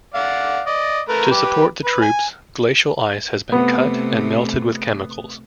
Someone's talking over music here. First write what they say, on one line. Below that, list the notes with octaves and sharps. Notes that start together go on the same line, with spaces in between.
To support the troops, glacial ice has been cut and melted with chemicals.
D5 F5 F#5
D5 D#5
A3 A#4 B4
G4 B4 D6
B4
G#5
C3 A3 B3